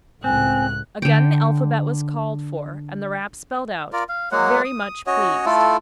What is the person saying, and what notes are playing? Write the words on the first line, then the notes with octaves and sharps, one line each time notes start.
Again the alphabet was called for, and the raps spelled out, "Very much pleased."
C#2 A2 C4 G#5 F#6
D3 G5
F4 A#4 D5
F5
F#3 G#3 A#3 F#5
D#6
C#4 F#4 C#5 D#5
A3 E4 F4 A4